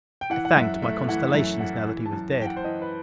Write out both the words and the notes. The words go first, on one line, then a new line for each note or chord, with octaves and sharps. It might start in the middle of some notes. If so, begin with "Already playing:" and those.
I thanked my constellations now that he was dead.
G5
E3 F#5
F#5
F#2 E5
A3 E5
E3 F#5
F#2 E5
E3 F#5
E3
A5
F#2
E3 G5
F#5
C5
E3 D#5
B4